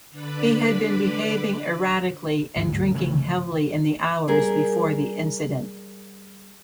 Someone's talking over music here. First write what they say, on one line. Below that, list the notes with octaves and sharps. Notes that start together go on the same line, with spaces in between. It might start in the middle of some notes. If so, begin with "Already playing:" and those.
He had been behaving erratically and drinking heavily in the hours before the incident.
D3 D4 B4 D5 B5
G1 D2 G#2
C#3 E3 F#3 A3
G3 G#4 A#4